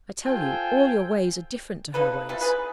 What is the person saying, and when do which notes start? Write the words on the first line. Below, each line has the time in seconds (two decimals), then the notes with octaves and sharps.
I tell you, all your ways are different to her ways.'
0.23 F4 A4 C5 G5 G#5
1.94 A#3 D#4 A4 B4
2.29 C3 G3 F4 A4
2.41 D#4 G#4 B4